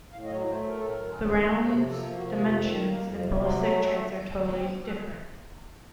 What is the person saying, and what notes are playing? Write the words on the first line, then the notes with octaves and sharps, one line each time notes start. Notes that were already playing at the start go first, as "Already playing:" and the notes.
The round's dimensions and ballistic traits are totally different.
A2 F5
D#5
F#3 C#5
A3 C5
A2 A#4
A4
F#2 A#4
D#3
A3
F#2
C3 C5
F3
A4
A#3
F#4
C3
F2 F4
D#3
A4
A#3
A#4
F2
C3 C5
F#3
C5
A3
C#5